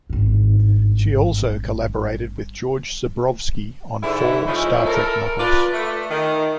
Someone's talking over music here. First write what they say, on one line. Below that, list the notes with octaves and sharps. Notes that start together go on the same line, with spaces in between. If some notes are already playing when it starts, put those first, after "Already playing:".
She also collaborated with George Zebrowski on four "Star Trek" novels.
G#1 G2
G#2 D3 E4
F3 G#3 A3 C#4 D#4 E4
A4 A#4
F4 B4 D5
A3
D#3